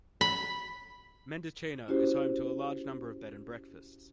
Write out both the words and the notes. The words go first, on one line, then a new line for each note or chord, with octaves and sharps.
Mendocino is home to a large number of bed and breakfasts.
B5
C#4 E4 F#4 G4 C5